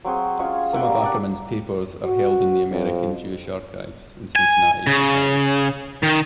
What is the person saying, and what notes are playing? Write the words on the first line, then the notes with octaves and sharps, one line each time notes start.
Some of Ackerman's papers are held in the American Jewish Archives, in Cincinnati, Ohio.
F#3 C4 F#4 G#4
G#3 C#4 F4 C#5
A#3 E5 F#5 G5
G3 A#5
D4 D5 F#5
F#4
F2
G#5
C#3
D#3